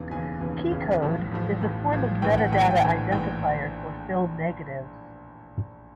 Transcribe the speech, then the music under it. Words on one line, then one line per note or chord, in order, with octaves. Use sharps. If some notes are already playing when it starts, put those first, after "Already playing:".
Keykode is a form of metadata identifier for film negatives.
Already playing: E1 D#2 C#3 E3
E1 D#2 C#3 E3 G#5
E1 D#2 C#3 E3
E1 D#2 C#3 E3
A1 A2 F3
A1 A2 F3
A1 A2 F3
A1 A2 F3
A#1 A2 E3 G5
F#5
A#1 A2 E3 G5
G#5
G5
A#1 A2 E3
A#1 A2 E3 G5